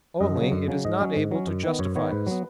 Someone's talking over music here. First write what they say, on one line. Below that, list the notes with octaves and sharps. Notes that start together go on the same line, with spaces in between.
Only it is not able to justify us.
F#2 D#5
C#3
F#3
F#2
C#3 F#3
G#2 D#5
F#3 C#4
G#2
F#3 C#4
F#2
D#3 B3
F#2 C#5
D#3 B3 C#5
G#2 B4
F#3 B3